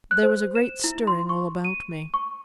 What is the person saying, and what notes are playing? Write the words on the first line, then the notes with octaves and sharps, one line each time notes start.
There was a great stirring all about me.
F#6
C5
E7
E4
C6
C#6
D#7
C#6